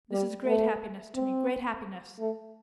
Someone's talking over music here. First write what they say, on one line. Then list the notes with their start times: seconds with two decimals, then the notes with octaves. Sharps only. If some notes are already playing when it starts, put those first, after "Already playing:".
'This is great happiness to me, great happiness.
0.11 G3
0.46 A3
1.15 C4
2.19 A3